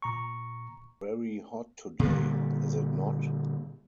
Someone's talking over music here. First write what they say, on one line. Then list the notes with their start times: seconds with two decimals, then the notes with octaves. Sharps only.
Very hot today, is it not?
0.02 A#2 A#5 C#6
1.99 A#2 D3 G3